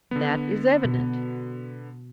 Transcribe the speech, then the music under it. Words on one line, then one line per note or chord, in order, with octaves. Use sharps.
That is evident.
D3 B3
B2